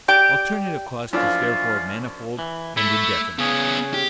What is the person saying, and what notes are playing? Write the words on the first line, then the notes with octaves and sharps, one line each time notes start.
Alternative cost is therefore manifold and indefinite.
G4 D5 G5
F#2 F3 D4 E4 F4 F5
E3
A3 E4
C#3 B3 C#4 G#4
G4